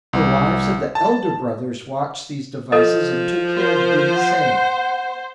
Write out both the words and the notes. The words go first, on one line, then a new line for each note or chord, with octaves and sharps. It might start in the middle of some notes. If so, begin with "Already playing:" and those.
The wives of the elder brothers watched these devices, and took care to do the same.
C2
A5
F3 A4 D#5
A#4 C5
F#5